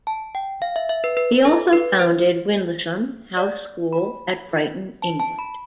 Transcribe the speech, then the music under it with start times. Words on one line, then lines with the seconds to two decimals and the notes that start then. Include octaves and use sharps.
He also founded Windlesham House School at Brighton, England.
0.07 A5
0.35 G5
0.62 F5
0.76 E5
0.89 E5
1.04 B4
1.17 B4
1.45 A4
1.73 B4
1.99 C5
3.37 D5
3.93 B5
5.02 A5
5.20 A5
5.39 B5